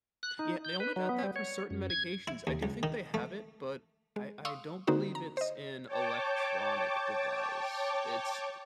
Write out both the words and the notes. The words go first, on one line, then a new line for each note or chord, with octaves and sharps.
Yeah, they only got that for certain medications. I do think they have it, but I I don't believe it's an electronic device. It's th
F#6
D#4
G6
B4
F#3
B3
G3
C#5
F#2
G#6
E4
D#2
C#2
D#3
A3
G#3
F5 C6 C#6 D#6 E6
D3 A#3 C4 D#4 F#4 C5
A#5
C5 D#5
C#5 G5 A5 D6